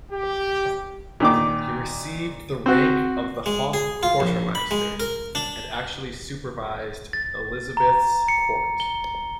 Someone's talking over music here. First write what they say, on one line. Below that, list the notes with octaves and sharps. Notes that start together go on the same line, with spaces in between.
He received the rank of the hof-quartermeister; and actually supervised Elizabeth's court.
G4
A#2 D#3 D6
C4 F#4
G#3
G#4
F4
A#1
B5
G#3
A#4
D4
A6
A#5
C#7
G7